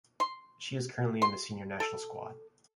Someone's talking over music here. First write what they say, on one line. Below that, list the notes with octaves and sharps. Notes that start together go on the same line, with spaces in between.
She is currently in the senior national squad.
C6
C6
A4